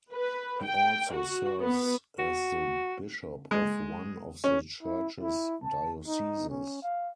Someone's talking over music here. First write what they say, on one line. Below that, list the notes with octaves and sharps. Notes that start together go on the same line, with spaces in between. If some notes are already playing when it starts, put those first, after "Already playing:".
He also serves as the bishop of one of the Church's dioceses.
B4
G5
F#4
B3
F#4
G#3
C#4
E4
E4
A5
D#4
C#4
F5